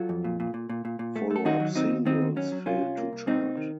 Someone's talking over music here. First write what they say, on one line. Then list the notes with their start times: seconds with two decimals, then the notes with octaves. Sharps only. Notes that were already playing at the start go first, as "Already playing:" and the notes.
Follow-up singles failed to chart.
Already playing: F#3 F4 A4
0.09 F2
0.24 A#2
0.40 A#2
0.54 A#2
0.69 A#2
0.85 A#2
0.99 A#2
1.16 A3
1.31 A3
1.36 A4
1.45 D#3 D#4 F#4
1.60 F#3
1.75 D#2 C4 D#4
1.91 D#2
2.05 D#3 C4 D#4
2.22 D#2
2.36 F#3 C#4
2.52 F#3
2.66 C2 C#4 F4
2.82 C2
2.98 A#3
3.13 C2
3.27 C3 C4 D#4
3.42 C3
3.57 D#3